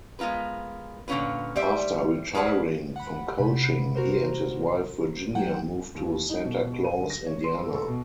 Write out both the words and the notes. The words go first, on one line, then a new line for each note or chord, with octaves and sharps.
After retiring from coaching he and his wife Virginia moved to Santa Claus, Indiana.
G#3 B3 F4 A#4 B4
A#2 D3 F3 C#4 F4 B4
G3 C5 D5 E5
G#4 A#4 B4 D5 F#5 A5
F#5 B5
C3 B5
F#4 A#4 C5
F#3 F#5 G5
D#2
D#4
B2
B2
D#7
D3
A#6
C#5
C6
A4
A4
B2